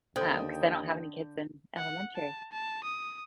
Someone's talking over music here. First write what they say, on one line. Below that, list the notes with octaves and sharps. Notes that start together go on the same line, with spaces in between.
um, 'cause I don't have any kids in elementary.
D#2 D3 A4 C5 G5 D#6 G6
F#5
A5
A5
D#6